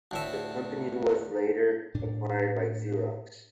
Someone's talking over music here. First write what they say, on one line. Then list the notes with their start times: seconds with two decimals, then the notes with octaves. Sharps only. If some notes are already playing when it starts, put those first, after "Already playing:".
The company was later acquired by Xerox.
0.11 D2 A2 E5
1.94 A2 D4